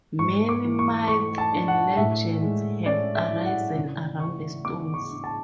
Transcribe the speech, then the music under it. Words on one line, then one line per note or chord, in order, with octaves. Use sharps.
Many myths and legends have arisen around the stones.
G#2 C#6
D6
E3
C#6
A3 C#6
A5
D4
F#5
A2 E5
G#3
C#4 D5
E5
E4
F#5
C#3
E3 C#6
B3 D6
C#6
D4
A5